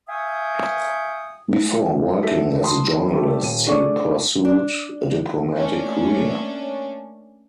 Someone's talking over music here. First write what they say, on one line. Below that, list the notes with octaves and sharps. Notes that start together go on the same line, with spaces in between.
Before working as a journalist he pursued a diplomatic career.
E5 F5 G5 G#5 C#6 D#6
A4 E5 B6
A5 B5 C6 D#6
G3 A3
D#1 D#7
A3 D4 G#4 D5 C#6
D4
A3 A#3 C#4 D4